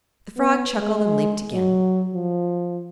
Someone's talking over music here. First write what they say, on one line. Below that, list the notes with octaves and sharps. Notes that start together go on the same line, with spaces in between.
The frog chuckled and leaped again.
B3
G#3
F#3
F3